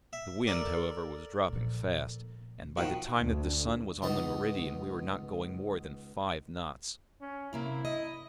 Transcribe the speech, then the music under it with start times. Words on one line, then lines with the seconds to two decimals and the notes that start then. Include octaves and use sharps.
The wind, however, was dropping fast; and by the time that the sun was on the meridian we were not going more than five knots.
0.13 E5
0.47 A4 A#4 D5
1.48 A#2 F3
2.77 D#3 F3 F#4
3.19 D2
4.02 C#2 B3 D#4 A5
7.21 C#4
7.53 C3 A#3 C4 E4
7.85 D#5